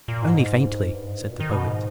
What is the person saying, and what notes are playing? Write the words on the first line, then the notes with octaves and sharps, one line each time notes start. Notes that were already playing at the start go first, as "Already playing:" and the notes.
"Only faintly," said the Poet.
A#2
G#2
G2
G#2
A#2
B2
D#3
B2
G#2